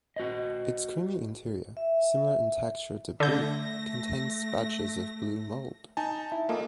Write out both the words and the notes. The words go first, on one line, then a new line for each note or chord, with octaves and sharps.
Its creamy interior, similar in texture to Brie, contains patches of blue mold.
F#4 C5 D#5
E5
D3 A3 G6 A#6
D#4 G#5 A5
E4
A#3 F4 A4 D#5